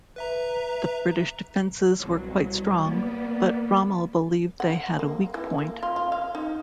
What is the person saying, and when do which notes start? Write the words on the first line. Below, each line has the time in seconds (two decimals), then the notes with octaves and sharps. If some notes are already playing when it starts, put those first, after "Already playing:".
The British defences were quite strong, but Rommel believed they had a weak point.
0.16 B4 E5 A#5
1.97 C2 B2 F#3
2.83 A#3 B3 D5
4.60 F#5
4.99 A#3
5.34 E3
5.58 A#3
5.83 F4
5.96 F4
6.12 F5
6.35 D#4